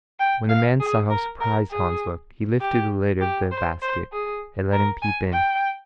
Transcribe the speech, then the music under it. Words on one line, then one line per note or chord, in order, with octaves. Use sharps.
When the man saw how surprised Hans looked, he lifted the lid of the basket and let him peep in.
G5
F5
G#4
A#4
A#4
G#4
G4
G4
C5
C5
G#4
A#4
G#5
G5